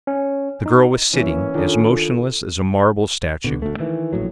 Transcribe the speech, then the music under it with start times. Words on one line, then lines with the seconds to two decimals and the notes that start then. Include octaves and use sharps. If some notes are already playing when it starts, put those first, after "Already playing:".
The girl was sitting as motionless as a marble statue.
0.07 C#4
0.66 D#4
1.13 E3 A#3 C#4 E4
1.54 D#3 D4 F4 A4 A#4
3.44 B2 D3
3.62 D2 A3
3.80 D#3 E3
4.13 A#1 A2 F#3